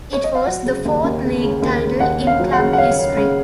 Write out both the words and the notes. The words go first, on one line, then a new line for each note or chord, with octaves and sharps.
It was the fourth league title in club history.
C#5
D#5
F5
F#3 F#5
C#3
D#2
D#2
C#3
C#3
D#2
C#3
D#2 F#5
C#4
F5
F#3
F#5
C#3
F#5
C#4 F5
C#4
C#3